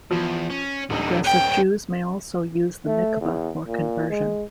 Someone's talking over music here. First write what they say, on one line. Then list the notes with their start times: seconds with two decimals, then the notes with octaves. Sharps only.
Progressive Jews may also use the mikveh for conversion.
0.11 E2 F3
0.50 C#4
0.90 D#1 D3 D#4
1.24 B3 C#4 G5
2.87 A3
3.21 E2
3.67 A#2
4.10 G#3